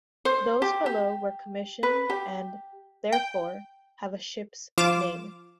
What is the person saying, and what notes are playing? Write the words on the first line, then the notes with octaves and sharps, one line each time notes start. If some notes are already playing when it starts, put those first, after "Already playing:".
Those below were commissioned and, therefore, have a ship's name.
C5
G4
G4
B4
G4
G5
F3 F4 D6 E7